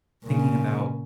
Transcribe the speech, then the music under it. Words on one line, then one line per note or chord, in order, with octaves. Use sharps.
thinking about
A#2 C#3